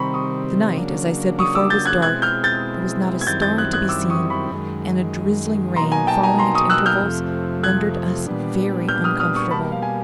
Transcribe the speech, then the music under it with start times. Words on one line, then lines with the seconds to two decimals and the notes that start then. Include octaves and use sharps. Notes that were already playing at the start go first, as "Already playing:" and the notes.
The night, as I said before, was dark; there was not a star to be seen; and a drizzling rain, falling at intervals, rendered us very uncomfortable.
Already playing: C3 D#3 G3 C4 A#5 B5 C#6
0.14 C#6 D#6
0.77 C#3 F#3 A#3 D4
1.39 C#6 D#6
1.55 D6 E6
1.70 G6 A6
1.86 F#6 G#6
2.02 B2 G#3 C4 E4 F#6 G#6
2.22 F6 G6
2.44 G6 A6
3.21 G#6
3.27 F#2 D#3 G3 C4 E4 G6 A6
3.42 G6 A6
3.58 F#6 G#6
3.73 F#6 G#6
3.89 D6 E6
4.10 C#6 D#6
4.30 B5 C#6
4.51 F#2 D#3 G#3
5.76 B2 F#3 A#3 D#4 A#5 C6
5.92 G#5 A#5
6.07 G5 A5
6.23 G#5 A#5
6.39 A#5 C6
6.55 C#6 D#6
6.70 E6 F#6
6.86 F6 G6
7.01 F2 C3 F3 A3
7.63 F#6 G#6
8.26 A#2 G3 B3 D4
8.88 F6 G6
9.04 D#6 F6
9.20 D#6 F6
9.35 C#6 D#6
9.51 B2 G3 A#3 A5 B5
9.72 F5
9.82 G#5